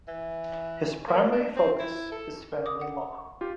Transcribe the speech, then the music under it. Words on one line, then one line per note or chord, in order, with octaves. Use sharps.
His primary focus is family law.
E3
A#3
D4
C4
E4
A4
A#4
D6 D#6
F#5
F4 G4